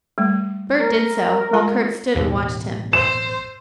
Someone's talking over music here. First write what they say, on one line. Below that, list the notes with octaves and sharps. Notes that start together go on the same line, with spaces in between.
Bert did so, while Kurt stood and watched him.
G3 A3
A#4
G#3 F4 A#5
A1 D#2 B2
C5 E7